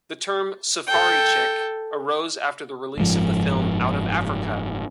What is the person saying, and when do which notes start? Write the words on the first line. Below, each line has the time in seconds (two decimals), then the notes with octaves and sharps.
The term "safari chic" arose after the release of the film "Out of Africa".
0.87 A4 G5
2.97 F#1 G#2 F3